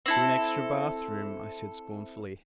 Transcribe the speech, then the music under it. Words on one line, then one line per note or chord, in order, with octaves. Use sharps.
"To an extra bath-room," I said scornfully.
C4 E4 A4